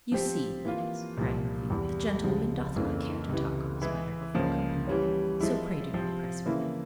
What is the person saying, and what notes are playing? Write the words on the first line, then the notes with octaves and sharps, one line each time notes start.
"You see, ladies," cried Murphy, "the gentle-woman doth not care to talk on this matter before company; so pray do not press her."
F3 C4 G4 C5
E3 A#3 F4
C2 A#2 F3
E2 E3 G3
C#2 C3 F3 G#3
F2 C#3 E3 A#3
C#2 C3 E3
E3 G#3 E4 G#4
C#2 C#3 F3 A#3
E3 G3 C#4
F3 G#3 E4
C3 F3 C4
C#3 E3 A#3 E4